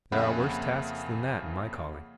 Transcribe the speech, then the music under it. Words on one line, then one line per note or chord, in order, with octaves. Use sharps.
There are worse tasks than that, in my calling.'
F2 C#3 A#3 E5 F#5 B5